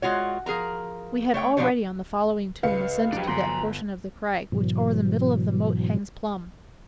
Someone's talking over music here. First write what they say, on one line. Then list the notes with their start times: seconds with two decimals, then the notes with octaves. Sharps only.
We had already on the following tomb Ascended to that portion of the crag Which o'er the middle of the moat hangs plumb.
0.02 G#3 F4 F#4 C#5
0.46 F3 G#4 A#4 A#5
1.34 A3 C#5 G5
1.57 B2 F3 G#3 D4 G4 C#5
2.63 C#2 B4 F5 C#7
3.13 F3 F#3 D4 G4
3.27 G1 A#5 C6
4.52 G#2 B2 E3 F#3